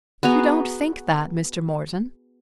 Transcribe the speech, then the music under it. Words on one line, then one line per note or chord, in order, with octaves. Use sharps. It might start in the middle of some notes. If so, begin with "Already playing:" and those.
"You don't think that, Mr. Morton."
B3 F#4 G#4 A#5